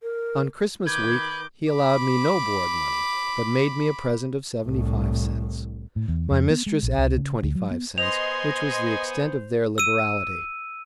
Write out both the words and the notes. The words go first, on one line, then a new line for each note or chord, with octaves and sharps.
On Christmas week he allowed me no board money, but made me a present of seventy-five cents; my mistress added twenty-five cents, which was the extent of their liberality.
A#4
D#3 B4 D6 G6 G#6
B5 D6
C2 A2
A2
E2
F2
B3
G#3
A#1
C#2
C#3
D2
F#3
B3
B3 C5 D#5 G#5 C6 F7
E6 D#7